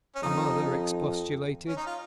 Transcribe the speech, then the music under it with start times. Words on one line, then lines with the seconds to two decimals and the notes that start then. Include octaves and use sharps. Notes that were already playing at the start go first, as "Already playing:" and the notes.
Her mother expostulated.
0.16 C#4
0.23 F2 D#4
1.68 C#4
1.77 D#4
1.86 F4